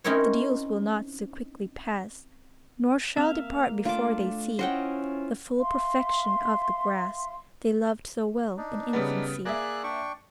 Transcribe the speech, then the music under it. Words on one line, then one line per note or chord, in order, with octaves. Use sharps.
"The dews will not so quickly pass, Nor shall depart before they see The full perfection of the grass, They loved so well in infancy."
C4 C#4 D#4 E4 A#4 C#5
A#3 C4 E5 F5
A3 D4 F4 D6
C#4 E4 F4 C5 D#5 F#5 G5
E5 F5 C6
D4 D#4
C#3 G3 B3
A#3 G#4 D5 E5 F#6
D4 G5 C#6